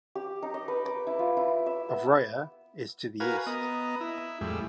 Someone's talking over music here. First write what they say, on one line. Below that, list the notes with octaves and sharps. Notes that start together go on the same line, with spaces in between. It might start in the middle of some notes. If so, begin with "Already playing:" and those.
Ovrya is to the east.
G4
D#4
D#5
B4
D6
E4
F4
E4
E5
B3
F#4 A#4 B4 F5 G#5
B3 D#5 A#5
E4
F2 A2 G3 G#3 E4